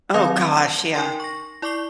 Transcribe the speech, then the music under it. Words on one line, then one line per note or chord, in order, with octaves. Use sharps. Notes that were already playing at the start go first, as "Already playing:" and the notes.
Oh gosh, yeah.
D#3 F#3 C4 F5 F7
A5
D#4 A#4 G5 C6
C#6 A#6
E4 D5 C#6 D6 C7 G7